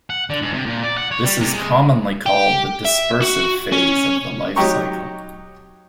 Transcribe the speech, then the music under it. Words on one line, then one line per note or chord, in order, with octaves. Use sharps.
This is commonly called the dispersive phase of the life cycle.
F#5
D3
G#2
C3
A#2
D5
F#5
C#5
G3
C3
G#3
G4
E5
F#4
C#4
F#3 D#4 G4 A#5 C#6